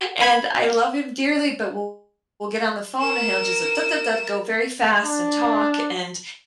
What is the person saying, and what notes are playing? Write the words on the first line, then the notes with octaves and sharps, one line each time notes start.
and I love him dearly, but we'll we'll get on the phone, and he'll, just, "Da, da, da" go very fast and talk and
B5 G#6
A#4 E7
D4